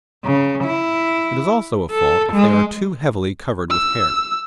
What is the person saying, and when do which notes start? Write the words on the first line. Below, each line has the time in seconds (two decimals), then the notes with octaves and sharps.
It is also a fault if they are too heavily covered with hair.
0.24 C#3
0.64 E4
1.91 A4
2.33 G#3
3.71 E6